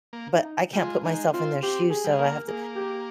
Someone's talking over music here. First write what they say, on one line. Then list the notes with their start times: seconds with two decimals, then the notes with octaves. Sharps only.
But I can't put myself in their shoes, so I have to
0.13 A#3
0.34 D#4
0.73 G3
0.77 G#3 F4
1.05 G#3 D#4
1.34 C4 F4
1.62 C4 G4
1.90 G#4
2.04 G3
2.12 G#3
2.19 A#3 A#4
2.48 A#3 G#4
2.76 G4